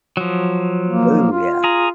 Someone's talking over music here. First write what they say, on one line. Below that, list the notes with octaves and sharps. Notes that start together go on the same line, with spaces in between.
Ooh, yeah.
F3 F#3
A#3
F4
G#4 A#5